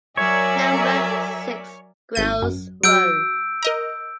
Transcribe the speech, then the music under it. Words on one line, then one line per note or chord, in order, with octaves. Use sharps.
Number six, Greles road.
F#3 A#4 C#5 D5 E5 G#5
G#1 G6 D#7
F#2
F#3 E6 G6 D7
A#4 D#5 A#5